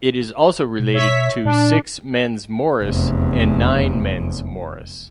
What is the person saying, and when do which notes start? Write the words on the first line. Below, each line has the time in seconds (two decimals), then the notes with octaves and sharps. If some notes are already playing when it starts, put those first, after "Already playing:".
It is also related to Six Men's Morris and Nine Men's Morris.
0.80 B2
0.93 C#5 E5 B6
1.45 A#2 D4
2.83 F1 E2